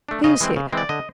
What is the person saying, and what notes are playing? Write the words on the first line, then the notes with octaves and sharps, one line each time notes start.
"Who's here?"
A3 D4
C#3 D#5
E3 G#3 C4
C#3
E3 G#3 C4 D5
D3 D#5